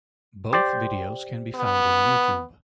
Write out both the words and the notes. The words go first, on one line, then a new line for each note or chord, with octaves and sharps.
Both videos can be found on YouTube.
G4 C5 D5
B3